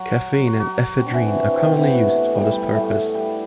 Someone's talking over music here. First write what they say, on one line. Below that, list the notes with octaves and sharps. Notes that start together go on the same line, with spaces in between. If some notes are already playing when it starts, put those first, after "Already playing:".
Caffeine and ephedrine are commonly used for this purpose.
Already playing: F#3 F#4
F#3 F#4
F#3 F#4
F#3 F#4
C4
D4
E3 E4
C3 C4
C3 B3 C4
B2 B3
A2 A3
G3
A3
G3
A2 A3
G3 G4